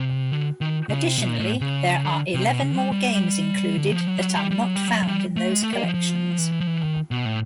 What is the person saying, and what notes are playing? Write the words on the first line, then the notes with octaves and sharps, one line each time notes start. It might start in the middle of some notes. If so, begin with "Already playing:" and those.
Additionally, there are eleven more games included that are not found in those collections.
Already playing: C3
D3
D#3
C#3
C3
B2
A#2
A2
C#3
D3
C3
B2
C#3
G3
G3
D3
F3
F#3
G3
F#3
G3
G3
F#3
G3
F#3
F#3
G3
A3
G#3
A3
A#3
F3
F3
E3
E3
F3
E3
D#3
B2
A2